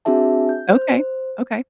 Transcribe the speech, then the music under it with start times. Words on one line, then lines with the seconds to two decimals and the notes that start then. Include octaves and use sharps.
Okay, okay.
0.05 C4 D4 F#4 G#4 E5 A5
0.49 G6
0.71 C5